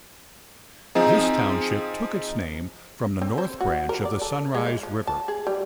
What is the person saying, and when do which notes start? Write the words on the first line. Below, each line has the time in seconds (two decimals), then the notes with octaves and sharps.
This township took its name from the north branch of the Sunrise River.
0.95 F3 C4 D#4 G#4
3.22 C4
3.38 C5
3.61 F#4
3.89 A#4
4.05 D5
4.22 A4
4.55 G#3
4.67 F5
4.83 F3
5.07 A5
5.28 G#4
5.47 G3